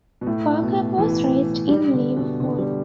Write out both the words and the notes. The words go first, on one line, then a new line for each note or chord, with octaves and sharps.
Parker was raised in Liverpool.
B2
A2
B2
E3
G3
D3
B2
D3
G3